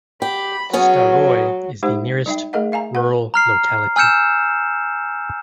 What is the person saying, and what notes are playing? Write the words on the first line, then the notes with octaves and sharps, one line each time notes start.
Staroye is the nearest rural locality.
G4 B5
F#3 B3 C#4 G#4
G#3 D#4 G4 C5 F#5
G3 D#4 E5 G5
A3 G#4 A#4 D#5 F#5
E5 F5 G#5 A#5
B4 F#5
A#5 F6 C7
G#5 E6 F6 G6 C#7 E7